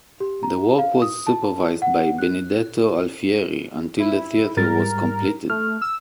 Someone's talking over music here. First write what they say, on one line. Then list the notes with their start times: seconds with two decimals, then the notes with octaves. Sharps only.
The work was supervised by Benedetto Alfieri until the theatre was completed.
0.20 G4
0.43 A#5
0.79 F5
1.02 D#6
1.27 A5
1.82 F#5
2.18 F#6
4.00 E4
4.57 G#2 G3 A#4 A6
5.50 A3 F6
5.82 E6